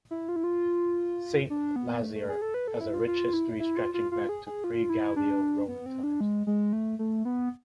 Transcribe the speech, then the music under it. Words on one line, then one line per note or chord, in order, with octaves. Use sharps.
Saint-Lizier has a rich history stretching back to pre Gallo-Roman times.
E4
F4
E4
F4
D4
B3
A3
A3
G#4
A4
B4
A4
E4
F4
F4
E4
E4
F4
F4
F4
G#4
G#4
F4
E4
D4
B3
C4
D4
G#3
G#3
A3
A3
B3